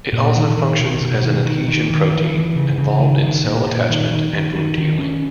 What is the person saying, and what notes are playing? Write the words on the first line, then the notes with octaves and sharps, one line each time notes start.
It also functions as an adhesion protein, involved in cell attachment and wound healing.
A#2
D#3
D#3
B2
B2
D#3
D#3
D#3
D#3
E3
E3
C#3
C#3
D#3
D#3
A#2
A#2
D#3
D#3
D#3
D#3
D#3
C#4